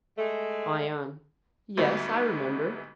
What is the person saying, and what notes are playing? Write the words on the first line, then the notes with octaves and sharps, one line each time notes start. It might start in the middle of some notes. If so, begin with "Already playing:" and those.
ION: Yes, I remember.
G#3 A3
D2 G#2 F#3 G3 A3 B3